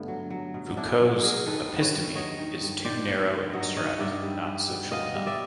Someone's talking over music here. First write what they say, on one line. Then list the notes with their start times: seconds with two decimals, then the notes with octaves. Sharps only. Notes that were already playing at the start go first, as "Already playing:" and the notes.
Foucault's 'episteme' is too narrow and abstract, not social enough.
Already playing: G2 D3 A3 B3
0.08 F#3
0.30 F#3
0.54 B2
0.76 B2 D4 E4
1.01 F#3
1.23 F#3 G#4 A#4
1.46 D#3 A4 B4
1.69 G2
1.81 B4 C#5
1.92 G2
2.15 F#3 C#5 D#5
2.39 D#3
2.62 G2
2.84 D#3 C5 D5
3.07 G2
3.31 G2
3.53 F#3 C#5 D#5
3.76 D#3 C#5 D#5
3.99 G2 D5 E5
4.23 G3
4.46 G3
4.69 B2
4.92 B2 D#5 F5
5.15 G3
5.26 D5 E5